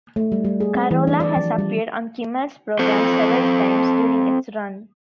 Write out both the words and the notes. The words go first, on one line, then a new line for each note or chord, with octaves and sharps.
Carolla has appeared on Kimmel's program several times during its run.
A3
G3
G3
G#4
C4
E3
D4
D5
F3
G3
C4 A4 C5